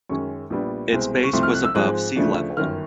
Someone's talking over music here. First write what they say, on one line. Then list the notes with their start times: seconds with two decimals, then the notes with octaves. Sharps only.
Its base was above sea level.
0.10 F#2 D#3 G#3 C#4 C#6
0.50 A#1 A#2 G3 B3 D4
0.92 C2 B2 G#3 C4
1.23 C#6
1.33 C2 C3 F3 A3 C6
1.43 F6
1.54 F#6
1.64 E6
1.74 G#2 F3 G#3 C4 F#6
2.16 D2 C#3 F3 A3 D4
2.57 G1 F#2 D#3 F6